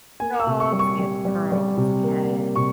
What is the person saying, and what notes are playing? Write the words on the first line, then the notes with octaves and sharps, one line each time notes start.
dogs, we had turtles, we had
A#3 G#5
E6
C3
C#6
G3
C#6
G3
G3
G3
C3
A#3
A#3
C3 C#6